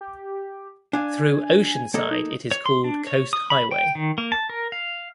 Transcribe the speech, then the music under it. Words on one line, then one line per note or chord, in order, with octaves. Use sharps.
Through Oceanside it is called Coast Highway.
G4
D4 F5 G#5
A#3 A4 D#5
D#4
C#5
C6
D4
C#5
D#6
B5
G5
D#3
A#3
A5
A#4
F5